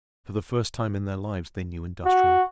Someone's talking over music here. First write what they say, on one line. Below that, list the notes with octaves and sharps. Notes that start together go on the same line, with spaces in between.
For the first time in their lives they knew industrial peace.
F#4